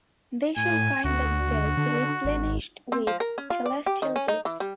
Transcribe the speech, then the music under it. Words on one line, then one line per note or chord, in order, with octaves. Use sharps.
They shall find themselves replenished with celestial gifts.
A2 G#5
D2 F#4
D3
G#1
C4
F3
A#4
C#4
F4
D5
G4
D#3
C#4
D#4
E3
G3